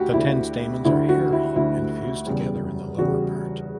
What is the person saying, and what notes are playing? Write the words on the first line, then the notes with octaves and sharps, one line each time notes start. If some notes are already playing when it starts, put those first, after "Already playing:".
The ten stamens are hairy and fused together in the lower part.
Already playing: D2 D3 A3 F#4 G4
D2 D3 A3 E4
D2 D3 A3 E4
F#4
E4
D2 D3 A3 E4
E2 C#3 G3
E2 C#3 G3 F#4